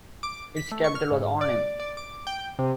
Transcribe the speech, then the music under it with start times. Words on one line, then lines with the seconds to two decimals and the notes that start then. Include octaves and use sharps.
Its capital was Arnhem.
0.23 D6
0.57 B6
0.72 A3
0.84 C#6
0.95 F6
1.11 G#2
1.41 D5
1.80 D5
1.97 D6
2.27 G5
2.59 C3